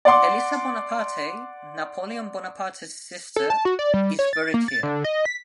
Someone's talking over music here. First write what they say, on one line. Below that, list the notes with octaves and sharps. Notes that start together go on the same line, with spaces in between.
Elisa Bonaparte, Napoleon Bonaparte's sister, is buried here.
D5 F#5 C6 D6
A4
A5
F#4
D5
G3
C#5
A6
A#3
A6
D3
D#5
B6